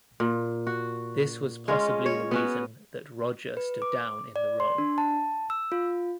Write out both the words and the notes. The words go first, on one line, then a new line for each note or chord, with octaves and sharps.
This was possibly the reason that Rodger stood down in the role.
A#2
F#4
G#3 C#4 F4
C#5
B3 C#4 F#4
B4
D6
D5
C6
D4
A5
E6
F4